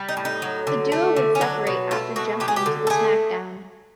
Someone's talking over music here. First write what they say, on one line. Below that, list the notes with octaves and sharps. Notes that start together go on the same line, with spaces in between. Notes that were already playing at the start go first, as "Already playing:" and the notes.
The duo would separate after jumping to the SmackDown!
Already playing: G3
D#4
A2
D#4
F#3
D3
A3
D3
C#4
F#3 D4
B2
A3 F4
B2 F#4
F#3 G4
G#4
G4
D3
A4
A3 G#4